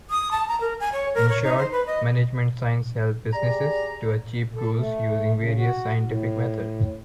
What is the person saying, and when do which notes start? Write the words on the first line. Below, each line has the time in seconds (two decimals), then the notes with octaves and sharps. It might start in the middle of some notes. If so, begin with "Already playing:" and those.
In short, management sciences help businesses to achieve goals using various scientific methods.
0.10 D#6
0.31 A5
0.48 A#5
0.61 A#4
0.80 G#5
0.93 C#5
1.15 A#4
1.29 C#5
1.44 D#4
1.57 C5
1.72 B4
1.86 D#5
3.33 G4 G#4 D5 A#5
4.56 A4
4.78 A3
5.38 C#3
5.57 F#4
6.03 A2